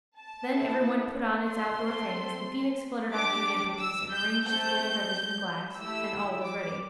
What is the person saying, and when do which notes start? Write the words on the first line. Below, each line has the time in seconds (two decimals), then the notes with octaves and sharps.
Then every one put on its outdoor things, the Phoenix fluttered on to the mantelpiece and arranged its golden feathers in the glass, and all was ready.
0.17 A5
0.49 C4 E4 A4
1.48 C6
1.81 A3 C4 A4
3.13 D4 G4 D6
3.79 E6
4.12 G6
4.45 A3 C4 A4 G6
5.77 A3 E4 G4 E6
6.43 D6